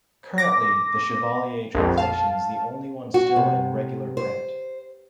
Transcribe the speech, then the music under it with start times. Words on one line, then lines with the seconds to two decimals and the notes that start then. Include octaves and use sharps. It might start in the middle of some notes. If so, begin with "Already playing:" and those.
Currently the Chevalier translation is the only one still in regular print.
0.38 D6 A#6
1.75 A#1 F2
1.98 F5 A5
3.14 F#4
3.36 C3
4.17 C5